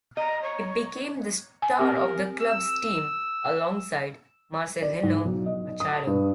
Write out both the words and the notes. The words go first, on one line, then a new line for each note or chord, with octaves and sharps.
He became the star of the club's team alongside Marcelinho Machado.
D#5 A#5
C#5
G#5
C4 G4 A#4
E6
D5
G#2
B1
D#5
D#6
G2